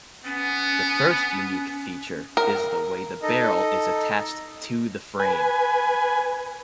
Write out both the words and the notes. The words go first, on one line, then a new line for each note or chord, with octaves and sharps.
The first unique feature is the way the barrel is attached to the frame.
B3 C#4
A#4
D#4 A4 D#5
B4 G#5